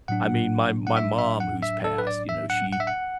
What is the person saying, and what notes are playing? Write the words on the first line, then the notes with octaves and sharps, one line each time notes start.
I mean, my my mom who's passed, you know, she,
A2 F#3 D4 F#5
F#5
E5
E5
F#5
E5
A4
B4
D5
E5
F#5
F#5
E5
F#5